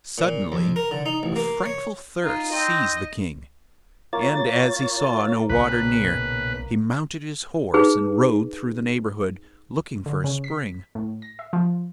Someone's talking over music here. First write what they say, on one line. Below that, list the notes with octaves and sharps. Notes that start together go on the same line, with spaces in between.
Suddenly a frightful thirst seized the King, and as he saw no water near, he mounted his horse, and rode through the neighbourhood looking for a spring.
A#2
F2
A#4
D3
D#4
A1
A#3
C#5
D#4 F4
C4 D#5
A#3 F4 C#5 A6
B1 A#2 C#3 B4
D#4 G#4 B4
D3
C#3
B6
A2
A#6
E5
F3